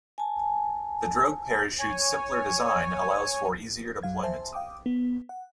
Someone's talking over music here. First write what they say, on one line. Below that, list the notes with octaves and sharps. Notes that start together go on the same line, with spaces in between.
The drogue parachute's simpler design allows for easier deployment.
G#5 A5
C#5 G#5
A1 F#2 F#3 F5 G#6
C5 E5 G#5 A5 C6
F5 G5 D6 D#6
B3
F#5